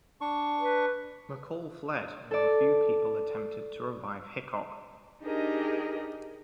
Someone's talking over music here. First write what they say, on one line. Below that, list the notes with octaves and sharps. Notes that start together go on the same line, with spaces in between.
McCall fled, while a few people attempted to revive Hickok.
D4 C#6
B4
A4 D5
D4 D#4 G4 G#4 A#4 D#5